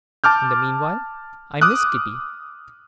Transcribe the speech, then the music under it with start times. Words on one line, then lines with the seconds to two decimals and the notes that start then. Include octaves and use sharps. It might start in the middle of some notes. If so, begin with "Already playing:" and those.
In the meanwhile, I miss Kitty.
0.24 A5 D6 F6 G6
1.61 D6 D#6 F6 F#6